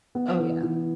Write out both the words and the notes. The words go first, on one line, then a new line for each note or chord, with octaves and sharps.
Oh yeah.
B3
E3
E3